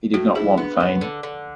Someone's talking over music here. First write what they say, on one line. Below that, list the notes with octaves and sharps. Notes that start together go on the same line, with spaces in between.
He did not want fame.
A2 F#4
E4 G#4
B3 D4
B3
D3
D3